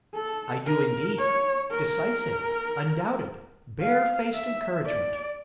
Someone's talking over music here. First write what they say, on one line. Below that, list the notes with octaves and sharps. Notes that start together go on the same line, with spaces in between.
'I do indeed--decisive, undoubted, bare-faced encouragement.'
A4
A#4
C#5
A#4
F5
E5
D5